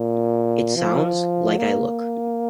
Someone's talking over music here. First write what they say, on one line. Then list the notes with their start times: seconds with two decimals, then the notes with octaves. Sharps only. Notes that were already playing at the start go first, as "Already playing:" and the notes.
It sounds like I look.
Already playing: A#2
0.76 F3
1.57 A#3